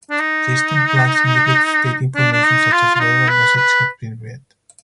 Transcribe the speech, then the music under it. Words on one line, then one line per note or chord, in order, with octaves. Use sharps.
System flags indicate state information such as whether a message has been read.
D4
D#4
D4
D4
D#4
F4
F4
D#4
B4
B4